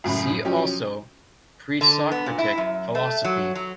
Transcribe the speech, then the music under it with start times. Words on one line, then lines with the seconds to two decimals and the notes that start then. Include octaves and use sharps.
See also: Pre-Socratic philosophy.
0.04 F#2 A2 C#3 B5
0.45 F3 F#3 C#4 G4
1.81 D3
2.12 B3
2.26 A#2
2.38 E4
2.58 F#2
2.95 A3
3.24 F#3
3.55 F#3